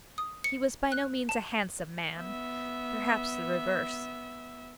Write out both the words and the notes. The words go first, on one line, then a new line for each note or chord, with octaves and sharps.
He was by no means a handsome man--perhaps the reverse.
D#6
C#7
F#6
A5
B3 E5